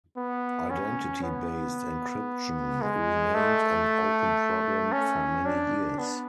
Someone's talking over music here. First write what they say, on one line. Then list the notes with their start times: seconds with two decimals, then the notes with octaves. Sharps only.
Identity-based encryption remained an open problem for many years.
0.17 B3
0.70 C#4
1.23 B3
2.82 G#3
3.35 A3
4.93 C#4
5.46 D4
5.99 B3